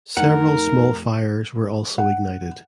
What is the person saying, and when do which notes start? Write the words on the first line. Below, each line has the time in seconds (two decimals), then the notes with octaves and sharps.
Several small fires were also ignited.
0.17 F2 A3 D#4 A#4 F#5
1.98 F#5